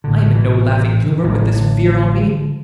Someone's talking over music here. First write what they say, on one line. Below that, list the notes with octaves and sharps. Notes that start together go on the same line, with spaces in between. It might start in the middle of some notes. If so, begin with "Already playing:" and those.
I am in no laughing humor with this fear on me.
A1 A2 D3
E3
A1 A2 F#3
D3